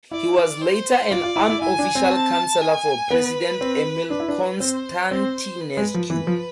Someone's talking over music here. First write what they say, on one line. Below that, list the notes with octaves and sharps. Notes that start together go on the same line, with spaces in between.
He was later an unofficial counselor for president Emil Constantinescu.
E4 D5
C5
F4 D5
F4
E4
E4
E4 G#5
D4
C4
A5
G#5
B3 B4
C4
D4 B4
E4
D4
C4 C5
C4 C5
B4
G#3
F3
E3 B4
F3